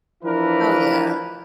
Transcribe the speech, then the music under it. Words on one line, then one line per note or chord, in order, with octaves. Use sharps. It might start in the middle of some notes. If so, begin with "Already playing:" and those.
Oh yeah.
E3 F3 D4 E4 A#4 B4